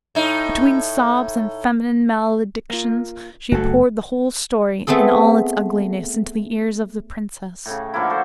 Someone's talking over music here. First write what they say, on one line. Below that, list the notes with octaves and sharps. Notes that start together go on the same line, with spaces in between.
Between sobs and feminine maledictions she poured the whole story, in all its ugliness, into the ears of the princess.
A2 D#4
A#3 F4
F#1 A3 F#4 A4
A3 B3 C4 G#4 A4
A2 C#3
D3 F3 A#3 E4
F#4 A4 C5